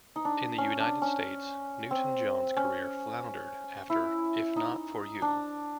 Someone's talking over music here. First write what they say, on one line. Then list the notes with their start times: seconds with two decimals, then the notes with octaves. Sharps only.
In the United States, Newton-John's career floundered after If Not For You.
0.16 D#4
0.25 D4
0.58 C#4
0.80 D4
1.02 C#4
1.91 C4
2.57 C#4
3.90 E4
4.56 D#4
5.22 D4